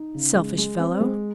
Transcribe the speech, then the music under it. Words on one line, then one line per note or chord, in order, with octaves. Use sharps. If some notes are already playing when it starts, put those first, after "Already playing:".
"Selfish fellow!"
Already playing: D#4
C#3
G#3
G#3
C4
G#3